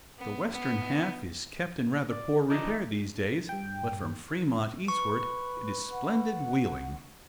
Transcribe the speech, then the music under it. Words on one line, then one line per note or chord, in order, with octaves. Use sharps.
The western half is kept in rather poor repair these days; but from Fremont eastward it is splendid wheeling.
B3
B3
D5
E3 F3 D4 D#4
G2 G5
B4 C#6
F#5